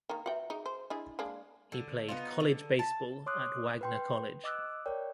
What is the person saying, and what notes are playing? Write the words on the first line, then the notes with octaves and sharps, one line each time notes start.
He played college baseball at Wagner College.
D#3 A#3 A#5
F#4 B4 E5 F#5 G5
D#4 G#4
C5 G#5
D4 E4 G#4 D#5
G#3 A#3 D4 D6
D3
B3 D#4 F4
D3
A5
C#5 C6 D6 D#6 F6 F#6
B4 G5 C6
D#5 D6 E6 F#6
A#4 C#5 D5 G5